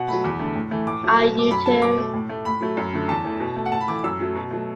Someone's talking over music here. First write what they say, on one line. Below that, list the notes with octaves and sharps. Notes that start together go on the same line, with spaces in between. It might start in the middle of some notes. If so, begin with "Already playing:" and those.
Are you two?
Already playing: B2 F#5
F#3 A3 B5
E2
D3 A3
A2
E3 A3
A2 D6
F#3 A3
B2
A3 D6
F#2 B5
F#3 A3 A5
B2 D6
A3
A2
A3
A2 B5
F#3 A3
F#2
D3 F#3 A3
E2 A5
E3 A3
B2
A3
F#5
A2 A5
B5
E3 A3 D6
F#2 E6
F#3 A3
B2
F#3 A3